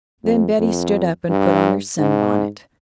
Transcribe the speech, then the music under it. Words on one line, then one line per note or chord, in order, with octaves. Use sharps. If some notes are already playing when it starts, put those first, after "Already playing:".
Then Betty stood up and put on her sunbonnet.
F2
F2
G2
G#2